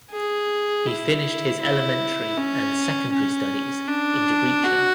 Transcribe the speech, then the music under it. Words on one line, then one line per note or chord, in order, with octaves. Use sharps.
He finished his elementary and secondary studies in Debrecen.
G#4
E4
E4
C#4
C#4
D4
F#4